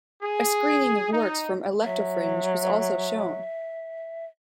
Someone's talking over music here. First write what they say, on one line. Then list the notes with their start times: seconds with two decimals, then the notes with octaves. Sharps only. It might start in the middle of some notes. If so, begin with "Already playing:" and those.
A screening of works from Electrofringe was also shown.
0.21 G#4
1.12 D#4
1.85 F#3 E5